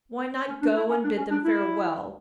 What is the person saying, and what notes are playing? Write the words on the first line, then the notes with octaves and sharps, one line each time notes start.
Why not go and bid them farewell?
C#4
D4
E4
C#4
D4
C#4
D4
E4